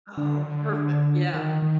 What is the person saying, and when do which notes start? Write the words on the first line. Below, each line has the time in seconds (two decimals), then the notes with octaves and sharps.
Oh, perfect. Yeah.
0.17 D3
0.42 D#3
0.46 D3
1.34 D#3
1.62 D#3